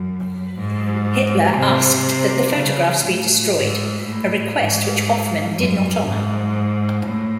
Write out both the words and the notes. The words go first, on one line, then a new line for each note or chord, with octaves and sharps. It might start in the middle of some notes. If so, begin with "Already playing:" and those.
Hitler asked that the photographs be destroyed, a request which Hoffmann did not honor.
Already playing: F#2
G#2
C3
C#3
A2
G#2
A2
G#2
F#2
G#2
A2